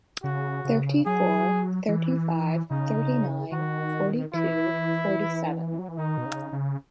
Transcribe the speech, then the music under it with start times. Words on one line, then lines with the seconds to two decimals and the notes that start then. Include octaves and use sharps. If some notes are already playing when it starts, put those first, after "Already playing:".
Thirty-four, thirty-five, thirty-nine, forty-two, forty-seven.
0.23 C#3 F#4
0.65 C#3
1.06 F#3 G#4
1.88 E3
2.70 C#3 D#4
3.52 D#3 F#4
4.34 E3 E4
5.79 F#3
5.88 E3
5.98 D#3 D#4
6.18 B2
6.25 C#3
6.53 C#3